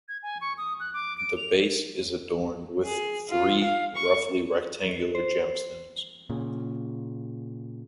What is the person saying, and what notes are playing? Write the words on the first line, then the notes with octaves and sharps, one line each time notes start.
The base is adorned with three roughly rectangular gemstones.
G#6
G#5
C#6
D#6
F#6
D6
D7
F7
G#4
F4
F5
C#6
C5
A#2 C#3